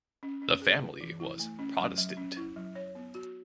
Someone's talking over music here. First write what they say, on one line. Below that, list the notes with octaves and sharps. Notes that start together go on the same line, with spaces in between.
The family was Protestant.
C#4
C#4
G#4
B4
E3
E4
A3
C#4
F#3
F#3
C#4
E4
F#3
C#5
B3
F#4